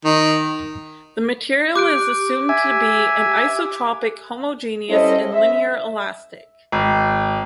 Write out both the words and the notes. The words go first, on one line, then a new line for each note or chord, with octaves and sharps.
The material is assumed to be an isotropic, homogeneous, and linear elastic.
D#3
G4 D6 F#6 D7
E5 G#5
G3 C#4 E4 A4 C5 D#5
E5
G#1